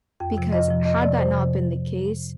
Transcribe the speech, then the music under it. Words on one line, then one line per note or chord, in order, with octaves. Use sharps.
Because had that not been the case,
F2 G5
C3 F3
F2 D#5
C3 F3
F2 D#5
C3 F3 D5
F2 C5
C3 F3